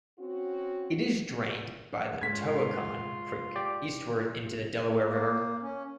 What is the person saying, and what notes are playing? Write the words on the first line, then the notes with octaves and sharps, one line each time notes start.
It is drained by the Tohickon Creek eastward into the Delaware River.
C4 C#4 F#4
G#2 D3 C#4 F4 G#6 B6
G4 D5
A#3
C#4